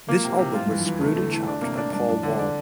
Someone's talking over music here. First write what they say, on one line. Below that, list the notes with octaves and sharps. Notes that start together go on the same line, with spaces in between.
This album was screwed and chopped by Paul Wall.
F3 A#3
F3
C3
F3
C3 E3
G2 F4
G2 E3
F2
E2 E3
C3 A3
D3 A3
E3 A3
E3 D4
C3 A#3
A2 D4
G2 D4
F2 D4
E2 D3
D4